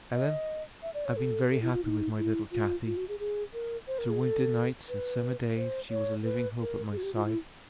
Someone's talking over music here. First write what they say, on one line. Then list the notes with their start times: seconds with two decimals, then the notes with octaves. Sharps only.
Ellen, I've been very happy with my little Cathy: through winter nights and summer days she was a living hope at my side.
0.15 D#5
0.83 E5
0.94 D5
1.05 C#5
1.17 A4
1.50 A4
1.62 E4
1.73 F4
1.84 D#4
2.18 E4
2.52 F4
2.86 F4
2.97 F#4
3.08 G#4
3.19 G#4
3.54 A#4
3.87 C5
3.99 A#4
4.10 G#4
4.21 A4
4.89 B4
5.57 C5
5.90 C#5
6.24 B4
6.58 A#4
6.92 G#4
6.97 F#4
7.03 G4
7.14 F4
7.25 E4